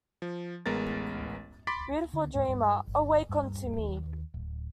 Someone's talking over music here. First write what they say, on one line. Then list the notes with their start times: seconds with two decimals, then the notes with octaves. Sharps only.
Beautiful dreamer, awake unto me!
0.22 F3
0.66 A1 G#3 B3 A#4 A6
1.67 B5 C6 D6 A6 B6 D7
2.13 D3
2.35 G#2
2.48 G2
2.87 G1
3.29 G2
3.78 D#2
4.34 D1